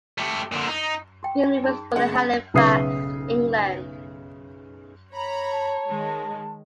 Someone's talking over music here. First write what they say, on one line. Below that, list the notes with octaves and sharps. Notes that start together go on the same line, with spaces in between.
Grimley was born in Halifax, England.
A3 G4
A#2 D3
D#4
F#4 G5
D#4 G#4
C#3 G#3 F#5
A5 B5
B1 C#3 B4 E5 D#6 C7
C#5 A#5 B5
A5
D#3 G#3